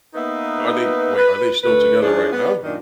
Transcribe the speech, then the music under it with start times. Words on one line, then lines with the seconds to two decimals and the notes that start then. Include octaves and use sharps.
Are they wait, are they still together right now?
0.15 A#3 B3 D#4 B4 E5
1.16 B4
1.63 D2 A3 B4
2.03 F3 C#4 D4 E4 G#4
2.32 B3
2.63 F#2 A#2 D#3 D4